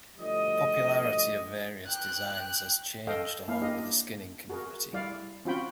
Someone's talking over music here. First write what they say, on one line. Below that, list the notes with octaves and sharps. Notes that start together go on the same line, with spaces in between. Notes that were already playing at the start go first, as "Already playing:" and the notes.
The popularity of various designs has changed along with the skinning community.
D2 F3 G3 D5 D#5
G5 F#6
A4 D#5 F5 G5
A#3 E4 F5
D4 G4 D#5 F5
F#4 G#4 A#4
G3 E4 D5 F5
C4 C#4 F4 F#4 G5 B5